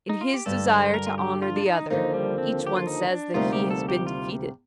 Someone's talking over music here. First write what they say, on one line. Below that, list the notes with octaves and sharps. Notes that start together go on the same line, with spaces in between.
In his desire to honour the other, each one says that he has been defeated.
D#4
F4
G4
G2 D3 G3 A4
C5
A#4
F4
G4
F4
D4
D#4
D#2 D3 F3 A#3 D#4
G3
C4
G4
F4
D#4
D4
D2 C3 G3 A#3 D#4 F4
G4
A4
G4
F4